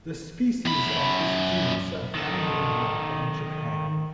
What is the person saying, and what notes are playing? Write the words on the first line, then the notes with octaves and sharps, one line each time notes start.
The species of this genus are found in Europe and Japan.
F#2 B5
D#3 A4